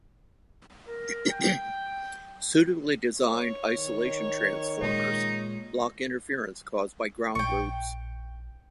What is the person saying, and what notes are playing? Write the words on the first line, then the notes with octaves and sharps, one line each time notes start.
Suitably designed isolation transformers block interference caused by ground loops.
A#4
G5
C#5
D#3
A#2 G#3 D#4
A#1 G5 C#6